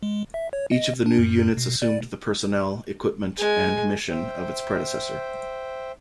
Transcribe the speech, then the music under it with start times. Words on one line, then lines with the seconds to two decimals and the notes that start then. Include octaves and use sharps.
Each of the new units assumed the personnel, equipment, and mission of its predecessor.
0.03 G#3
0.34 E5
0.53 C#5
0.72 D#5
1.06 D4
1.18 F#2
1.57 B2
1.82 D5
3.38 G#3 G#5
4.10 C5 E5 G5